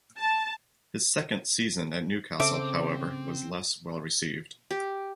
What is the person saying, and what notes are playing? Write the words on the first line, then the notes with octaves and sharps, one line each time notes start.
His second season at Newcastle however was less well received.
A5
C#3 C4 A4 C5 E5 D6
G4